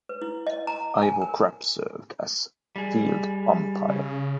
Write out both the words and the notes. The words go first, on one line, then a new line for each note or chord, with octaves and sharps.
Ivo Crapp served as field umpire.
B4
E4
D#5
A#5
G#5
A#4
G3 G#4
C#3